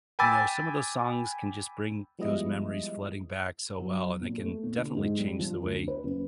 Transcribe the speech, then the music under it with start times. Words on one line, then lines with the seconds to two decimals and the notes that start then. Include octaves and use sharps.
you know, some of those songs can just bring those memories flooding back so well, and they can definitely change the way
0.19 G5 G#5 B5 D6 E6 A6
2.19 F3 G3 G#3 B3 E4 D#5
3.79 F#3
4.21 A#2
4.38 A3
4.63 A#2
4.77 D3
4.97 G#2
5.18 G3
5.39 F3
5.63 D2
5.88 B4
6.04 F#1